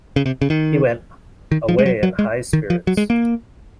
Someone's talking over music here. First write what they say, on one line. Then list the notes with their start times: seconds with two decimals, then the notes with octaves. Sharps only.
He went away in high spirits.
0.16 C#3
0.26 C3
0.42 C#3
0.50 D#3
1.52 D#3
1.69 F3
1.79 G#3
1.86 F#3
2.03 F#3
2.19 G#3
2.53 D#3
2.70 F3
2.87 F#3
2.97 G#3
3.10 A#3